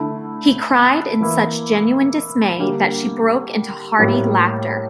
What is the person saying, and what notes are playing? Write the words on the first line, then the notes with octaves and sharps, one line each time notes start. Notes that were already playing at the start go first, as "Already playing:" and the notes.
He cried in such genuine dismay that she broke into hearty laughter.
Already playing: D3 A3 E4
E3 A#3 E4
D3 G3 A#3
A2 G3 A#3 E4